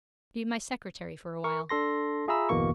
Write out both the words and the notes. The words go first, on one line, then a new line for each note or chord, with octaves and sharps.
Be my secretary for a while.'
A#4 C#6
D4 A4 C6 A#6
F4 G#4 E5 A#5 B5 E6
G1 E2 B2 E3 A#3 C#6